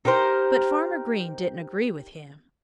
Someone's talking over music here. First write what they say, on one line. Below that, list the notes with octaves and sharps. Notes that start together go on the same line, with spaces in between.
But Farmer Green didn't agree with him.
D#4 G4 A#4 C5